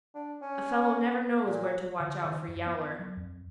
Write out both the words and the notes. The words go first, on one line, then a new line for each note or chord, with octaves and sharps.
A fellow never knows where to watch out for Yowler.
D4
C#4
A#2
D3
D#3
F#2
B3
F#3
F2